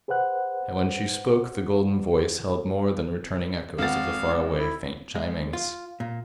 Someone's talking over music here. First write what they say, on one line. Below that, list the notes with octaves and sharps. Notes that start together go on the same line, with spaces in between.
And when she spoke the golden voice held more than returning echoes of the far-away, faint chimings.
G#4 B4 C5 F#5 F#6
G#1 B3 F5 A6
E4
G#3
F4
A#2